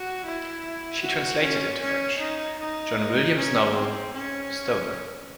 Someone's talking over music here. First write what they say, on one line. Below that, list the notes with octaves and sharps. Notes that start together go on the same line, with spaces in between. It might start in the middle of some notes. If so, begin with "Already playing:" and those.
She has also translated into French John William's novel "Stoner".
Already playing: F#4
E4
F#4
C#4
C#4
D#4
D#4
C#4
C4
C#4